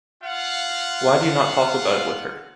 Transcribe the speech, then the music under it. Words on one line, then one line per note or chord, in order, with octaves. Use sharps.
Why do you not talk about it with her?
F4 F5 F#5